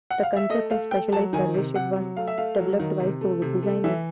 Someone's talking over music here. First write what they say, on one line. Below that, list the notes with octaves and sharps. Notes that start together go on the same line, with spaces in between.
The concept of a specialized surface ship was developed by Soviet designers.
F#5
F5
E5
A3 D#5
A3 F5
A3 G5
F#3 A5
D#3 G#5
C3
C3 F#5
F#3
A3 F5
E5
A3 F5
F#3
D#3
C3
A3
C3
A3
E3 E5